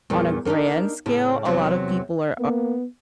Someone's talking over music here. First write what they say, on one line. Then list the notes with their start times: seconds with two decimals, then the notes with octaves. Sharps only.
on a grand scale, a lot of people are
0.10 E2 A#2 G3
0.45 A#3 B3 D4 D#4 G4
1.06 A2 C#3 E4
1.45 E2 C3 F#3
2.39 A#3 B3